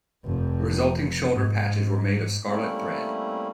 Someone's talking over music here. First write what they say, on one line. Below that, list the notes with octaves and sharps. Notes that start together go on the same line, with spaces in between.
The resulting shoulder patches were made of scarlet thread.
F1 F2
G#2
G3 A3 A#3 C4 C#4 E4